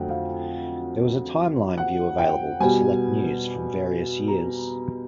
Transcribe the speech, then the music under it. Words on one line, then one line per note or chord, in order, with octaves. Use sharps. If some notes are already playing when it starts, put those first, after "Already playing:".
There was a timeline view available, to select news from various years.
Already playing: F2 D3 F#3 A3 F#5 G5
F5
F#5
G5
B2 G3 G#5
A#5